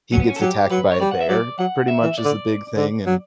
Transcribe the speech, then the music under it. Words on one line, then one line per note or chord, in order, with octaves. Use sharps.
he gets attacked by a bear pretty much is the big thing, and,
F#3 C#4
B3
C#4
A4
F#3 G4
F#3 B4
C#5
G3 D5
F#5
E5
F#3 D5
F#3 F#5
E5
E3
D5
D3
D3
F#3